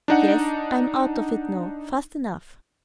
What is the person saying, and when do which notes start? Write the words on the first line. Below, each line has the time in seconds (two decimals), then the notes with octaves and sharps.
"Yes--I'm out of it now fast enough."
0.08 D4 D#4 F#5